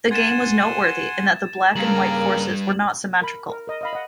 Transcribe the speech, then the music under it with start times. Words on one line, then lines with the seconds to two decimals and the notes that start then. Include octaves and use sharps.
The game was noteworthy in that the black and white forces were not symmetrical.
0.11 F#5 G#5 C6 G#6 A6 E7
1.76 G2 C#3 A#3 A#4 F#7
3.22 A#4 B5
3.50 A#4
3.68 A#4 D#5
3.81 D#5 F5 B5
3.93 D#5 F#5